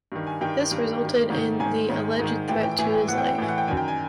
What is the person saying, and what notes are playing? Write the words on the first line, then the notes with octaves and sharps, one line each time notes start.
This resulted in the alleged threat to his life.
G2 D#3
G#5
G2 D#3 G5
G2 D#3
G2 D#3
G#2 D#3
G#2 D#3 G#5
G#2 D#3
G#2 D#3
A2 E3 G5
G5
A2 E3 G#5
G5
A2 E3 F#5
G5
G5
A2 E3
F#5
G5
F#2 D#3 G#5
G5
G#5